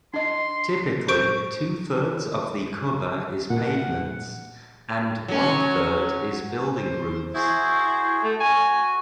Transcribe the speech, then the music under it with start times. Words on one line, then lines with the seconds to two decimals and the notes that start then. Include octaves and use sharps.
Typically two-thirds of the cover is pavements and one-third is building roofs.
0.14 D4 D#5 C6
1.08 C5 C#6 G6 D7
3.50 A#2 F#5
5.28 F#3 C#4
6.76 C5
7.35 E4 F#4 G#4 C5
8.24 A3
8.40 F#4 G#5